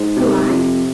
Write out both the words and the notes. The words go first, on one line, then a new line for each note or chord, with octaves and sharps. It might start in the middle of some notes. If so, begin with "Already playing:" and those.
"Who, I?"
Already playing: G#2
C3
F2